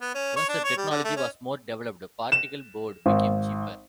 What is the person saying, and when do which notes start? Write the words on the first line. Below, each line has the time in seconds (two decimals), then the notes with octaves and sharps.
Once the technology was more developed, particle board became cheaper.
0.01 B3
0.15 C#4
0.36 C#5
0.49 D4
0.65 C#5
0.77 G3
0.90 D3
1.04 A3
1.16 C#4
2.32 E7
3.06 G#1